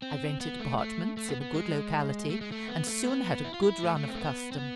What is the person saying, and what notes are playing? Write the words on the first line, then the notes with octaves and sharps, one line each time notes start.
I rented apartments in a good locality, and soon had a good run of custom.
C4
B3
A3
A3
A3
B3
B3
G#3
A3
G#3
A3
B3
A3
B3
E4
F4
E4
A3
A3
C4
A3
B3
C4
B3